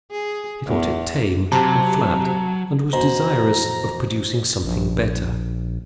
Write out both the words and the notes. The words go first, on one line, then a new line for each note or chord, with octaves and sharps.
She thought it tame and flat, and was desirous of producing something better.
G#4
E2
C3 F#3 A5 A#5
F2 B2 E3 C5 A#5
A#1